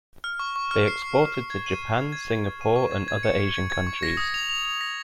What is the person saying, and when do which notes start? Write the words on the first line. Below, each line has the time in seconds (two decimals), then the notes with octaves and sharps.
They exported to Japan, Singapore and other Asian Countries.
0.24 F6
0.39 C#6
0.56 C#6
0.71 F6
0.88 C7
1.02 C#6
1.19 C7
1.34 F6
1.50 G#6
1.66 D#7
1.82 D#7
1.98 G#6
2.12 G#6
2.29 G#6
2.44 G#6
2.61 D#7
2.76 C#6
2.91 G#6
3.08 G#6
3.23 C#7
3.40 C#7
3.54 G#6
3.70 G#6
3.87 C#6
4.03 A#6
4.17 D#6
4.34 F7
4.49 F7
4.65 F7
4.81 A#6